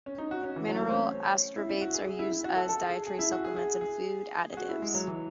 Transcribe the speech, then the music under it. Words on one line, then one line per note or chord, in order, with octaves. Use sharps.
Mineral ascorbates are used as dietary supplements and food additives.
C#4
D#4
F#4
C#4
E3
F#3
A3
C4
C#4
E4
E4
F#4
G#4
G#4
E4
E4
F#4
A4
A4
G#4
G#4
E4
F#4
G#4
G#4
G#4
G#4
F#4
E4
G#3
F#3
E3